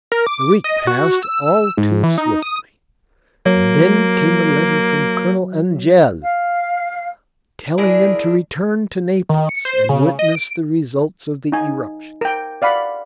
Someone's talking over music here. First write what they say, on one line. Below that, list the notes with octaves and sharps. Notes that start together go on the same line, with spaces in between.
The week passed all too swiftly, and then came a letter from Colonel Angeli telling them to return to Naples and witness the results of the eruption.
A#4
D6
D#5
F#4
E6
G#2
E3
D#4
D#6
F#3 A#3
F5
D4 E4 G#4 A#4
D#3
C#7
C5
C#3
D#5
D7
D#4 G#5
A#4 G5
D5 F5 F#5 B5